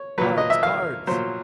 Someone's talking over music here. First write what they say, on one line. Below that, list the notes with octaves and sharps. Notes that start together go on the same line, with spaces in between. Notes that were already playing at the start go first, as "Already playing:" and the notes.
Cards! cards!
Already playing: C#5
A#2 F#3 B4
D#5
E5
F5
A#2 F#3 C5